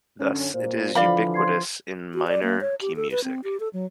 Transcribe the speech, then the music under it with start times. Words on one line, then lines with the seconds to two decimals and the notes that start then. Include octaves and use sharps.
Thus, it is ubiquitous in minor-key music.
0.20 F#2 D3 C#4
0.54 A#2 C5
0.95 D3 E3 F3 D5 F5 B5
1.34 C6 G#6 C7
2.14 F#4
2.27 D5
2.43 A#3
2.61 C#5
2.81 G4
2.96 A4
3.11 B4
3.24 C4
3.44 G4
3.60 A4
3.73 F#3